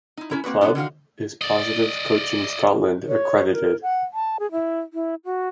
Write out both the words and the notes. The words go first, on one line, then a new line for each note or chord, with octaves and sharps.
The club is Positive Coaching Scotland accredited.
D#4 E4
C#4 E4 A#5
A#3 C4 F#4 B4
D3 F3 A3 B3 D4 E4
D3 D#3 F#4 F5
D5 D#5
C#5
A#4
F#5
A5
G#4
E4
E4
F#4